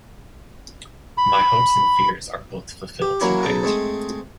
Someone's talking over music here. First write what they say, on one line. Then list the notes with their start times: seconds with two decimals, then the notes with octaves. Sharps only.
My hopes and fears are both fulfilled tonight.
1.18 B5
3.02 G4
3.21 F#3 A#3 C#4 E4
3.43 B1 C#3 A4 A#5
3.63 G#3 A3 C4